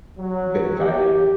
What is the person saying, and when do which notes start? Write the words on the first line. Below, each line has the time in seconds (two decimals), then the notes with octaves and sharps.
been guided.
0.18 F#3
0.78 G4